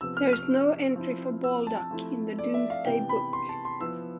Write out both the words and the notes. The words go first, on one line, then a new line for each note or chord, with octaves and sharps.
There is no entry for Baldock in the Domesday Book.
C3 F3 B3 E6
F6
F6
F3 C4 E4
E6
A5
F3 A3 C4 E4
D5
E5
F5
C3 E3 B3 G5
B5
C6
A5
C6
F3 B3 E4 E6